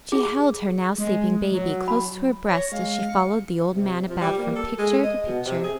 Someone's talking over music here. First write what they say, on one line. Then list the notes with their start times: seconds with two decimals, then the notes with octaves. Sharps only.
She held her now sleeping baby close to her breast as she followed the old man about from picture to picture.
0.12 G#4
0.98 G#3
1.52 F#3
1.88 B5
2.47 C#5 A#6
2.72 G#3 F5
3.09 C#7
3.74 C3
4.10 F3
4.21 G3
4.38 A#3
4.56 A4
4.78 G#3
5.03 D#5
5.26 B2
5.46 C3
5.63 G#4